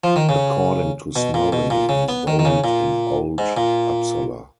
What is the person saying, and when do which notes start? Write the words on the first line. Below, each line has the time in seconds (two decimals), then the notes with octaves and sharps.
According to Snorri, he is buried in Old Uppsala.
0.04 F3
0.16 D#3
0.29 C#3
1.16 B2
1.34 A#2
1.52 B2
1.70 A#2
1.89 C#3
2.09 B3
2.27 D#3
2.39 D#3
2.45 C#3
2.64 A#2
3.38 G#2
3.57 A#2